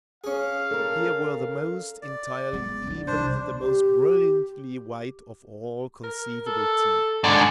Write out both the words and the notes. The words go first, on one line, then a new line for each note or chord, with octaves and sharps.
Here were the most entirely even, and the most brilliantly white of all conceivable teeth.
C#4 G#4 F5
A4 A#4
D5
G#3 B3
D3 E3
C2 D4 C5
G4
A#4
A4
G#2 D3 D5